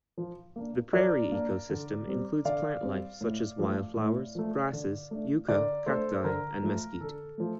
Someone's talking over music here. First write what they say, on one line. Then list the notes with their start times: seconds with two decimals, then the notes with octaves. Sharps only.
The prairie ecosystem includes plant life such as wildflowers, grasses, yucca, cacti, and mesquite.
0.18 F3
0.56 A#3 D4
0.93 F3 A#4 D5
1.32 A#3 D4
1.70 D3
2.07 G3 C4
2.45 D3 D5 F5
2.83 G3 C4
3.21 A2
3.59 F3 A3
3.97 A2
4.35 F3 A3
4.73 D3
5.11 A3 D4
5.49 D3 A#4 D5
5.86 A3 D4 A4 C5
6.24 D3 A#4
6.63 F3 A3
7.00 D3 A4
7.38 F3 A3